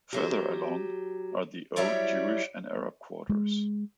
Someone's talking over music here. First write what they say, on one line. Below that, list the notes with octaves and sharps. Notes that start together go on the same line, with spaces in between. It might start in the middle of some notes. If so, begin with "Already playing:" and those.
Further along are the old Jewish and Arab quarters.
F#3 G4
F#3 G3 E4 C#5 D5
G#3